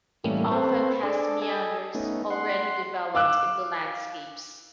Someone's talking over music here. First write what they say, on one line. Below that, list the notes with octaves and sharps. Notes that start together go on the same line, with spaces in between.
It often has meanders already developed into landscapes.
A2 E3 G3 A3 A#3 C#4
C4 A4 B4 C5
D4 G#4 A4 D5
A4 D#5 G#5
A3 B3 C#4 D#4
F#5 C6
F5 D6 E6 F#6